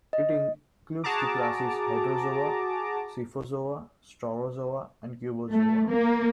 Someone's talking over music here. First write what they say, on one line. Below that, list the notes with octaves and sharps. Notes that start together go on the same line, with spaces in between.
It includes the classes Hydrozoa, Scyphozoa, Staurozoa and Cubozoa.
D#5
F#4 G#4 A5 A#5 D6
A3
A#3